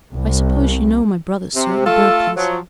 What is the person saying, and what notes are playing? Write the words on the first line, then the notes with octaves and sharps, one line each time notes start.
"I suppose you know my brothers, sir, the Berkleys."
C2
C3
A3 F4 A4
F3 F#3